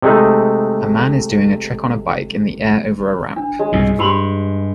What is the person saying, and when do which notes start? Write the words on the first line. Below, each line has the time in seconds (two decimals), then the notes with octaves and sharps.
A man is doing a trick on a bike in the air over a ramp.
0.02 C3 G#3 A3 D#4
3.36 D4
3.59 G#3
3.72 C2 G#2 B2
3.99 G2 G4 B5 C6